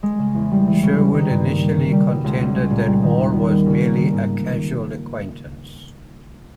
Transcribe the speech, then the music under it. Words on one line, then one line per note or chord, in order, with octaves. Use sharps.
Sherwood initially contended that Ore was merely a "casual acquaintance".
G#3
C#3
E2
G3
E3
C#3
G3
D#3
G2
A#3
G3
C#3
G3
B2
C#2
C#4
G#3
A#2
G3
D#3
D#2
B3
G3
C#3
A#3
D#3
G#2